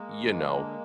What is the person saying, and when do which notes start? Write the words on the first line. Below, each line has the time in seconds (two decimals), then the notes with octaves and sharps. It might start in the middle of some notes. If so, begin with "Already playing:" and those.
you know,
Already playing: G#3 A#3
0.11 D#2
0.31 F3
0.52 D3